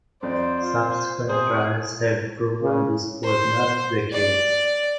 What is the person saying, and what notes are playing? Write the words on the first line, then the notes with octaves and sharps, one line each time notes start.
Subsequent trials have proven this was not the case.
F2 C5 D5
F4
C3 G#4 C5
C#3
C5
D5